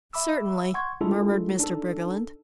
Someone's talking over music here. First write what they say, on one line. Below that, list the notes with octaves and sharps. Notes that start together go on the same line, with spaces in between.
"Certainly," murmured Mr. Briggerland.
E5 B5 D6 E6
F#5 C6 C#6 G#6
G#3 D4 E4 F4 G#4 A4
D4 D#4 A4